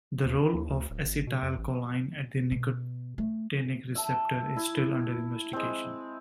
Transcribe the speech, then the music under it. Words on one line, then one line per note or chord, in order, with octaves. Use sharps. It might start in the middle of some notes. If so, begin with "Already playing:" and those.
The role of acetylcholine at the nicotinic receptor is still under investigation.
D#2
D#3
D#2
D2
D1
G#1
B2
F2
A1
B2
A3
E5 A5
E4
G#3 C4